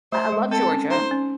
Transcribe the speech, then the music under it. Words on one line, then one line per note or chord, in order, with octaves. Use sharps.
I I love Georgia,
A3 C5
G#3
C4 A4
C#4
D#4 C5
C#4